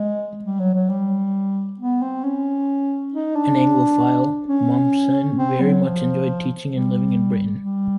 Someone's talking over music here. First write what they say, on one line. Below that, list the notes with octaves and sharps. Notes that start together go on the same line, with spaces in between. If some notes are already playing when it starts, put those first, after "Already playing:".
An Anglophile, Mommsen very much enjoyed teaching and living in Britain.
Already playing: G#3
G3
F#3
F#3
G3
B3
C4
C#4
D#4
D4
C#4
C4
F#3
F3
G3
G3